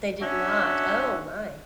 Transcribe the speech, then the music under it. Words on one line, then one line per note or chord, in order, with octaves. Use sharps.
They did not. Oh my.
C#4 D4 F#4 E5